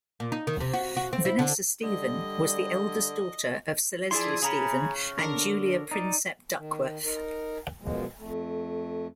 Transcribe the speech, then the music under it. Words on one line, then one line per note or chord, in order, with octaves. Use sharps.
Vanessa Stephen was the eldest daughter of Sir Leslie Stephen and Julia Prinsep Duckworth.
A#2
D#4
D#3
C3
F#4
F#4
C4
E4
D3
D3 G3 D#5
F3 E4 G#4 D5 C6
C#3 G#4 A#5 B5
D3 D4 A#4
D#4 D5
D#3
D#4 A#4
F#2 B2 F3 G#3
F2 A3